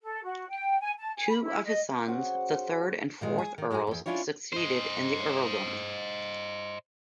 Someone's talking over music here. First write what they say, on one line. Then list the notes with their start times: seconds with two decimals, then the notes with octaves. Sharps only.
Two of his sons, the third and fourth Earls, succeeded in the earldom.
0.01 A4
0.24 F#4
0.49 G5
0.80 G#5
0.98 A5
1.16 G#5
1.29 B5
1.43 E4
1.64 D#5
2.07 C#3 F#4 C5 F#5
3.21 A#2 D#3 G#3
3.38 G#4
3.58 D#3
3.71 A2 G#3 E4 F#4 G#4
3.87 E2 G#2
4.06 C#4 D4 E4 F4 C#5
4.53 C5 D#5